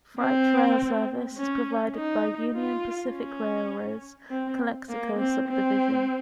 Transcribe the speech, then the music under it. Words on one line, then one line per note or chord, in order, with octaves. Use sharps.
Freight rail service is provided by Union Pacific Railroad's Calexico Subdivision.
C4
C#4
D#4
F4
C#4
C4
A#3
C4
C4